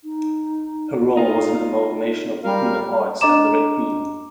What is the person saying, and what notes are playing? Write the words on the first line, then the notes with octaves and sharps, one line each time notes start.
Her role was an amalgamation of The Queen of Hearts and The Red Queen.
D#4
D#4 F4
G3 A#4 F5
D4 D#5 A#5 D6 E7